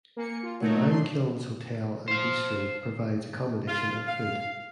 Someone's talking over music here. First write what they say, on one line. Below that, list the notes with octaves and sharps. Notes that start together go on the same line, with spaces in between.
The Limekilns Hotel and Bistro provides accommodation and food.
A#3 G#5 C#7
F4
F#3 A3 D#4
D4 C6
C5 F5
F4
F5